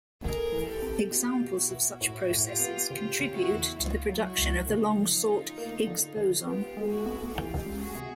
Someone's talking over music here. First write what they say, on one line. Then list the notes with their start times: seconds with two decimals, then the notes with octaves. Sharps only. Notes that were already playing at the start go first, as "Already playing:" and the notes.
Examples of such processes contribute to the production of the long-sought Higgs boson.
0.22 D2 G#4 A#4
0.52 E3
0.67 G4 A4
0.82 C3
1.11 B2 F4 G4
1.41 B2
1.57 E4 F#4
1.71 B2
2.01 A2 E4 F#4
2.30 A2
2.45 F4 G4
2.60 B3
2.90 C#3 F4 G4
3.19 C#3
3.35 E4 F#4
3.50 E2
3.79 C#2 D#4 F4
4.09 F#3
4.24 E4 F#4
4.38 C#2
4.68 C#3 D#4 F4
4.98 F3
5.28 C#3
5.58 A#3
5.87 D3
6.17 D3
6.47 B3 F4 G4
6.77 G#3
6.91 E4 F#4
7.06 B3
7.35 E3 F4 G4
7.66 C#2
7.80 F#4 G#4
7.95 C3